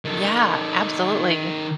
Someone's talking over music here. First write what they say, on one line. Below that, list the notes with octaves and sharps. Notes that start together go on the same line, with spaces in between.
Yeah, absolutely.
D#3 A4